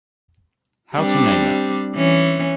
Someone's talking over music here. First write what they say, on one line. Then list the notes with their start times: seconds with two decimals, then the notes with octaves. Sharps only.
How to Name It?
0.96 G3 C4 D4
1.95 E3 C#4